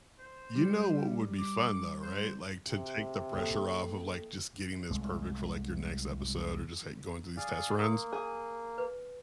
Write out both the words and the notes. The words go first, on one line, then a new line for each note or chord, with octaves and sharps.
You know what would be fun, though. Right? Like, to take the pressure off of, like, just getting this perfect for, like, your next episode or just, like, going through these test runs.
C5
G3
D6
C5
C3
A#3 A4 G5
C2 G#3 A3
G#4 D5 F5
A#3 C6 D#6
G#4
B4